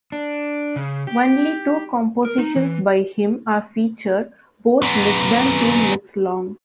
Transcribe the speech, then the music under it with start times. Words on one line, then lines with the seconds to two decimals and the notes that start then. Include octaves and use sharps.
Only two compositions by him are featured, both less than two minutes long.
0.12 D4
0.76 C#3
1.07 G4
2.25 A#4
2.38 D#4
2.56 E3
4.83 F#2 B3